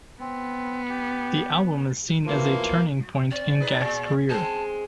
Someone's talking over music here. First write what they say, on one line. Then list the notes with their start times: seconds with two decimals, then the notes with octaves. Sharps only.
The album is seen as a turning point in Gackt's career.
0.20 B3 C4
0.89 G4
2.25 B2 E3 F3 A#3
3.31 C4 D5
3.60 D#4 G#4 B4
3.81 A#2
4.30 G#3 C4 G#4 A5